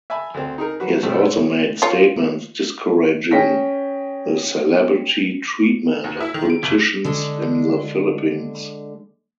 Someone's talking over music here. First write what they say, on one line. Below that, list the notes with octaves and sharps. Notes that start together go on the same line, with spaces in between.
He has also made statements discouraging the "celebrity treatment" of politicians in the Philippines.
E5 G#5 A5 B5
D2 C4
D#4 G#4 A#4
F#3 F#4 B4
G2 B2 A3 C4
C#5
F4 C#5
C#4 G#4 G5 A#6 B6
D#2
E4
D#3
D7
F#1
D3 G#3 D4